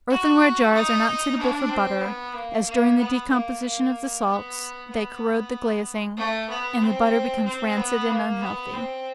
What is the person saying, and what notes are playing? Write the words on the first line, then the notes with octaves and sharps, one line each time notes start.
Earthen-ware jars are not suitable for butter, as during the decomposition of the salts, they corrode the glazing; and the butter becomes rancid and unhealthy.
F#4
D#4
D4
C4
B3
A#3
A#3
B3
A#3
A#3
B3
B3
A3
B3
C4
C4
B3
A#3
B3
C4